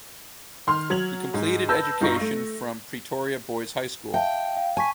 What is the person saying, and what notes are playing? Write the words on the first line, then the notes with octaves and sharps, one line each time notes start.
He completed education from Pretoria Boys High School.
D#3 C6 F6
F#3 G#6 F7 F#7
G#2
B4 A5 E6 G6 A#6
G2 D#4 F4 A#5 C#6 A#6
A3
E5 F5 G5 A5
F5
G#5 A5 C#6 B6